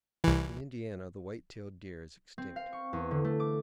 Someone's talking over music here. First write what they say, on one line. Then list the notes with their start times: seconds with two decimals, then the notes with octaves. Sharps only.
In Indiana the white-tailed deer is extinct.
0.24 C2 E3
2.38 C4
2.56 F5
2.73 C#6
2.93 E2
3.11 D3
3.24 A3
3.40 D6